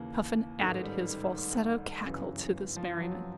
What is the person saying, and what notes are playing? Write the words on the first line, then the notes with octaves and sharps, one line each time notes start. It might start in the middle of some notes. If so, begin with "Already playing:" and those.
Puffin added his falsetto cackle to this merriment.
Already playing: D#2 C#3 E3 A#3
A1 G#2 D#3 A3
G3
G1 F#2 C#3 E3
F3
F#3